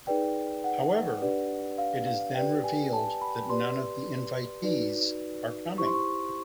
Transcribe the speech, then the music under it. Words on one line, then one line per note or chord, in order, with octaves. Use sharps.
However, it is then revealed that none of the invitees are coming.
D#4 G#4 B4 D5 G5
F#5
D4 G4 B4 D5
F5
F5
G4 B4 D5 G5
G#5
A5
B5
G4 B4 D5 C6
D#4 F#4 B4 D5
E4 G4 C5 C#6
C6
C#6